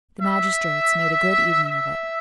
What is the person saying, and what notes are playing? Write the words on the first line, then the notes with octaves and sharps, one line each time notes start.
The magistrates made a good evening of it.
E5
E5